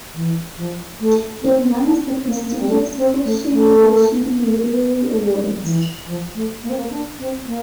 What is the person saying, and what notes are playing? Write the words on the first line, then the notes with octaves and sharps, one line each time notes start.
It runs the prestigious Hooshang Golshiri Literary Awards.
E3
F3
A3
C4
D4
C4
A#3
A#3
G3
A3
C4
A3
A3
E3
F3
A3
A#3
C4
A#3
D4
C4
A#3